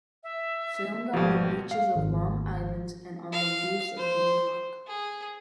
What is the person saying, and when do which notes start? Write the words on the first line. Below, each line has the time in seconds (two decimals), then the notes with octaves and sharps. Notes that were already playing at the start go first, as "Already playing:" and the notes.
Filmed on the beaches of Long Island, and on the roofs of New York.
0.23 E5
1.13 G#1 B2 F3 G3 B3
1.71 F5
1.96 G#1
3.32 F5
3.97 C5
4.88 G#4